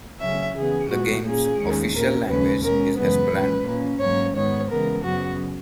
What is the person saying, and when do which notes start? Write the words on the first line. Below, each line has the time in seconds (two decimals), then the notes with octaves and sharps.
The game's "official language" is Esperanto.
0.20 C#3 F#3 C#4 E5
0.55 C#3 E3 B3 G#4
0.89 A#2 G#3 B3 F#4
1.24 A#2 A#3 C#4 G#4
1.58 D#2 D#3 G#3 C#4
1.93 A#2 A#3 C#4 A#4
2.27 D#2 C#3 G#3 C#4 B4
2.63 B2 G#3 C#4 A#4
2.97 F#2 C#3 E3 G#3 B3 B4
3.31 A#2 G#3 C#4
3.65 A#2 A#3 C#4
4.00 G#2 F#3 A#3 C#4 C#5
4.35 G#2 D#3 G#3 B3 C#5
4.69 C#3 E3 G#3 B3 A#4
5.03 F#2 C#3 F#3 B3 F#4